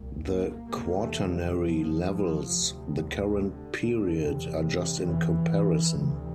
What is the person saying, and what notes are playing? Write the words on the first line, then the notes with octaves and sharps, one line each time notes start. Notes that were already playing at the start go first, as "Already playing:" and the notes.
The Quaternary levels, the current period, are just in comparison.
Already playing: C2 A#2
A#3
E2 C3 A#3
A3
G3
F3
D2 C3
D3
E2 C3
E3
D2 C3